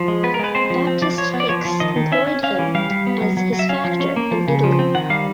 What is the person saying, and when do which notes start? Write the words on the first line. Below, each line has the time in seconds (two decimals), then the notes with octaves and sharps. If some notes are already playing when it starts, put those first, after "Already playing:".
Baptist Hicks employed him as his factor in Italy.
Already playing: F3
0.08 G#3
0.24 B3 B4
0.34 A#4
0.39 G#3 B4
0.55 C4 C5
0.70 F3
0.87 C4
1.02 F3 D5
1.18 F3 C#5
1.34 B3
1.40 D5
1.49 F3 C#5
1.65 F3
1.80 D#3 D#5
1.96 D#3
2.12 C#4 E5
2.27 C#4
2.43 C#4 F5
2.59 E3
2.75 G3 F5
2.90 G3
3.07 B3
3.21 F#3
3.37 F#3
3.53 F#3
3.59 E5
3.69 C#4 F5
3.84 F3
4.00 C#4
4.16 A#3
4.31 F3
4.48 C#3
4.64 F3
4.79 C4
4.95 D#3 F#5
5.10 G3 F5